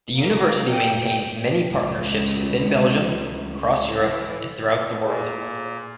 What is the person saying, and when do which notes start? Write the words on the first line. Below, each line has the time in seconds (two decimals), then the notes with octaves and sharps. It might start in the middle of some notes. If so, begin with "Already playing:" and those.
The university maintains many partnerships within Belgium, across Europe, and throughout the world.
0.15 A#3
0.68 G5
1.72 C#2
4.01 E3
5.05 A#2 G#4